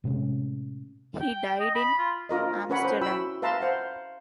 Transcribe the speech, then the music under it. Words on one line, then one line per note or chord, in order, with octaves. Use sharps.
He died in Amsterdam.
A2 C3 G#3 C#4
G5
D#5
B5
F4
D4 F4 A#4 D#5
C#4 A#4 B4 C#5 F#5 B5
B4 C5
E4 F#4 G5 B5 E6
B4 E5 F5 A5 A#5 C6
C5 F5 F#5